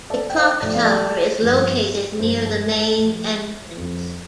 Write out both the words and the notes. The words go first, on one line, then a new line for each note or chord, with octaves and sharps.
A clock tower is located near the main entrance.
A4 D5
G5
C5 F5
A2 F3 D5
F5
A4 D5
G2 F3
G2 F3 C5
A4
A4
A2 F3
F2 F3